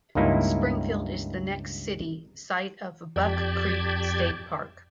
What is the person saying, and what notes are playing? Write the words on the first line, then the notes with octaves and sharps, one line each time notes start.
Springfield is the next city, site of Buck Creek State Park.
C#2 G2 A#3 D#4 E4
F2 G4 D5 G5 A5 G#6